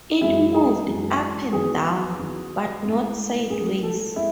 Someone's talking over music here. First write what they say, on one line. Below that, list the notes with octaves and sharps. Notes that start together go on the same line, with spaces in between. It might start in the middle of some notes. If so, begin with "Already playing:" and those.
It moved up and down, but not sideways.
F#2 E3 G#3 E4
G#4
F#2 E3 G#3
E2 D#3 F#3 G#4
E2 D#3 F#3
A2 G#3
A2 G#3 G#4
A4
G#3 E4